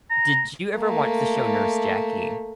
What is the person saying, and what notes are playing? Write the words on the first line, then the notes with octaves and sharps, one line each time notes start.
Did you ever watch the show Nurse Jackie?
A#5
A3 A#3